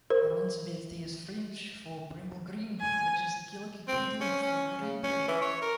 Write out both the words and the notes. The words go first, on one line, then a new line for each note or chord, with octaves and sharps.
"Ronceverte" is French for "Bramble Green", which is the Gallic equivalent for "Greenbrier".
A#4 C5
G#5
C4
C#4
C#4
C#3
C#4
E3
C#5
A#4